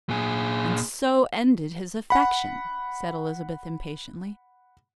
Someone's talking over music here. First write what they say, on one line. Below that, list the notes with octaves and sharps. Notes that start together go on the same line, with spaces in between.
"And so ended his affection," said Elizabeth impatiently.
A#2 G#4
F#5 B5